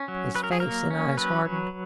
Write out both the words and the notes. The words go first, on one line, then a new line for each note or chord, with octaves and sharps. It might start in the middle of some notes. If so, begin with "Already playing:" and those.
His face and eyes hardened.
Already playing: C#4
F#3
F#3 B4
A#4
G#4
A#3 A#4
C#4
F#3 B4
F#3